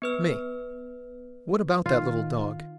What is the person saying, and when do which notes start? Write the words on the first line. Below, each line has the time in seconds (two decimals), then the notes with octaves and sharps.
ME: What about that little dog?
0.02 B3 B4 F6
1.86 D#3 F4